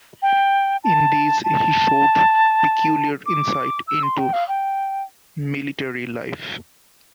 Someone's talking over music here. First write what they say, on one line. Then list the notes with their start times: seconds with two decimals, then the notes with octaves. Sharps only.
In these he showed peculiar insight into military life.
0.22 G5
0.84 A5
1.44 A5
3.26 D6
3.87 E6
4.03 C6
4.18 G5
4.33 F5
4.48 G5